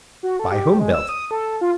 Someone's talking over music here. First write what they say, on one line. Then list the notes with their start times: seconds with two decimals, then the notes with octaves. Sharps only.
By whom built?
0.23 F#4
0.39 A4
0.52 G4
0.79 G#3
0.94 E6
1.09 D#6
1.31 A4
1.61 F4